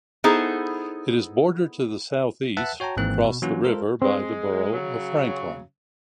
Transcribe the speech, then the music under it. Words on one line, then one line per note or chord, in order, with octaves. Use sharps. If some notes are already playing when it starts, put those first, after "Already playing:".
It is bordered to the southeast, across the river, by the borough of Franklin.
B3 D#4 E4 G#4 A4 C5
B4 E5 F#5 A5 F#6
F#4 C#5 G5 A5 A#5
G#1 G#2 E3 A#3 C4 F#6
B2
E3 F#3 A#3 C#4 F4 F#4
G#3 F4 A4 A#4 C5
G#3 C4
C#3 F#3